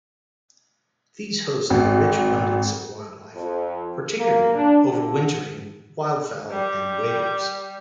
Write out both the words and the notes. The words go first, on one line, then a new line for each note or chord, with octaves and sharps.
These host a rich abundance of wildlife, particularly over-wintering wildfowl and waders.
G#1
F2
A#3
D4
D3
G3